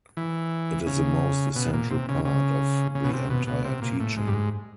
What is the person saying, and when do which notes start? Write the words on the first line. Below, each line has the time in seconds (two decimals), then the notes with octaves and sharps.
It is the most essential part of the entire teaching.
0.17 E3
0.87 C#3
1.55 B2
1.73 A#2
1.91 C3
2.09 C#3
2.25 C#3
2.95 C#3
3.04 B2
3.13 C3
3.30 B2
3.47 B2
3.64 C3
3.82 A#2
4.00 A2
4.17 G#2
4.27 G2
4.34 G#2